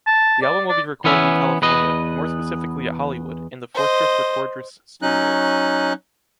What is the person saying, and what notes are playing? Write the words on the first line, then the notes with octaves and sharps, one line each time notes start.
The album will be recorded in California, more specifically at Hollywood, in the Fortress Recordres studios.
A5
D5
D5
E3 B3 C#4 E5
E2 B4 D#5
C5 D#5
F#3 C#4 D#4 F#6